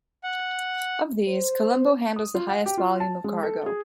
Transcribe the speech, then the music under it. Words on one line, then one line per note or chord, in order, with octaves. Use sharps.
Of these, Colombo handles the highest volume of cargo.
F#5
C5
D#6
F4
F#5
G4
F4
A5
G#3
A4
G#4